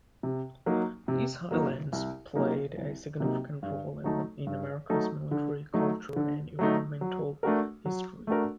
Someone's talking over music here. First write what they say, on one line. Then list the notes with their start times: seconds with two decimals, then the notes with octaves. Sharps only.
These highlands played a significant role in America's military, cultural and environmental history.
0.23 C3
0.66 F#3 A#3 D#4
1.08 C3
1.51 F#3 A#3 D#4
1.93 C2
2.35 C3 F#3 A#3 D#4
2.78 C2
3.20 C3 F#3 A#3 D#4
3.63 G2
4.04 F#3 A3 D#4 A4
4.47 G2
4.89 F#3 A3 D#4 A4
5.31 D3
5.74 F#3 A3 D#4
6.16 D3
6.59 F#3 A3 D#4
7.01 F#3
7.43 A3 D4 F#4 A#4
7.86 F#3
8.27 A3 D4 F#4 A#4